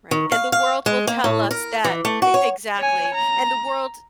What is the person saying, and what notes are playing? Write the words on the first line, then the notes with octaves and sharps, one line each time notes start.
Right, and the world will tell us that e exactly, and the world
D#3
F5
F5
G#3
A#3
A2
A#4
E3
A3
F#4
C#5
C#5 G#5
A#5